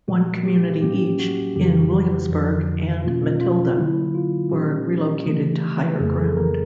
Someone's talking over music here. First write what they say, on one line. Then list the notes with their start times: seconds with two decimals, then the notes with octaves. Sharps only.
One community each in Williamsburgh and Matilda were relocated to higher ground.
0.08 A#2 F3 G#3 F#4
0.45 G4
0.82 A2 F#3 A#3 C#4 G4
1.19 F#4
1.56 F2 C#3 E3 G3 G4
1.93 F#4
2.30 F2 D3 F3
3.04 B2 F#3 A#3 C#4 F4
3.41 F4
3.78 D3 F#3 A#3 E4
4.15 F4
4.52 A#2 G3 A#3 C#4 G4
5.26 C#3 E3 A3
6.00 F2 C#3 F#3 A#3 G#4
6.19 A4
6.37 A#4